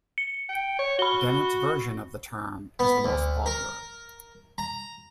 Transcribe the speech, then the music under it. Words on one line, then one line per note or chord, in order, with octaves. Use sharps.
Dennett's version of the term is the most popular.
C#7
G5
C#5
F#4 B5 G7
B3
D2
A#4
A#5